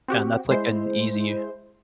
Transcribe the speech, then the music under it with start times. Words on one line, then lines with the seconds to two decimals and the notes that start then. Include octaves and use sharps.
And that's like an easy
0.08 C4 F#4 G4
0.51 G#3 E4 C5